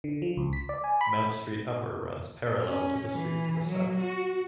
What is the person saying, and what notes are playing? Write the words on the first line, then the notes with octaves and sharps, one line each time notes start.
Mount Street Upper runs parallel to the street to the south.
D3
F3
C#2
B6
D5
G#5
B5
C#4
E3
F#3
F#4